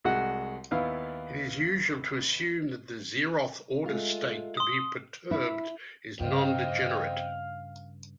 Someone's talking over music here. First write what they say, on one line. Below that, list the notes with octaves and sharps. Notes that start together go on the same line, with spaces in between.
It is usual to assume that the zeroth-order state to be perturbed is non-degenerate.
C2 G#3 F#4 F#5
D#2 B3 E4 F5
G#3 A3 F4
C6 D#6
E4
G2 C#3 C4 D#5 F5 G5